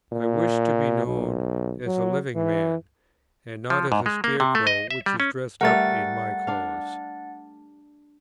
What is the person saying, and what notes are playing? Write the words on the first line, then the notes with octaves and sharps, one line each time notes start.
I wish to be known as a living man, and not as a scarecrow which is dressed up in my clothes.
A#2
B1
F#3
E3
F3
G#2
G#3
A#3
C3
A3
D#5
E5
G3
C#4
G3 A3 A#4 F#5 A6
D4 F5